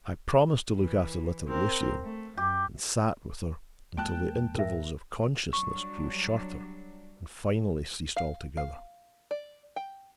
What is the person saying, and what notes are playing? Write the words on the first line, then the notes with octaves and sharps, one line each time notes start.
I promised to look after little Lucien, and sat with her until the intervals of consciousness grew shorter and finally ceased altogether.
E3
C4 A#4 C5
A3
F#2 G4
E2 G#3 A#3 G5 A5 F#6
G#2 A#4 E5
F#3 G3 D4 C#6
F5
F5
D5
G5